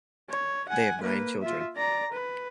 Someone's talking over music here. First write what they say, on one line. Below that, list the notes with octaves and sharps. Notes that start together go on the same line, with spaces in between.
They have nine children.
C#5
F#5 G#5
A#3 B4
F4 E5
D5 A#5
B4